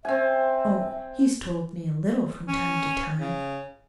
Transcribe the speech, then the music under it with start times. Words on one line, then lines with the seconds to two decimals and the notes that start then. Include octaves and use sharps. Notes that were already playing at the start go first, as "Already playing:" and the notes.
Oh, he's told me a little, from time to time.
0.05 C4 E5 G#5
2.48 C#4
3.19 C#3